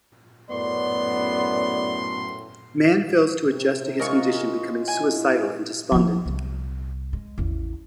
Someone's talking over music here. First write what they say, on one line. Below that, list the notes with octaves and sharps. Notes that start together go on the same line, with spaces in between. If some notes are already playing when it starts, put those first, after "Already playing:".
Mann fails to adjust to his condition, becoming suicidal and despondent.
F#2 A2 B3 D5 C6
C3
G#3 C#4 F4 A#4 C#6
E4 G#5
F3 E4
C2
G#3
A1 E2